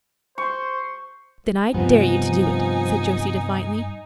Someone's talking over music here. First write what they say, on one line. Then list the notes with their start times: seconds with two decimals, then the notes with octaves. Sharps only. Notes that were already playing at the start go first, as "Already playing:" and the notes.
"Then I dare you to do it," said Josie defiantly.
0.38 C5 C#6
1.74 G2 C3 F3 G3 B3 D#4 G#5